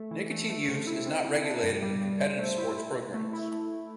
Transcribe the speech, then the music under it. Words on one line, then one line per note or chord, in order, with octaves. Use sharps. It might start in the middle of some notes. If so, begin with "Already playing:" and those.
Nicotine use is not regulated in competitive sports programs.
Already playing: A3
E3
A3
A3
C3
E4
C3
C3
D4
G2
G3
G2
C5
A3
E4
E4
E4
A3
E4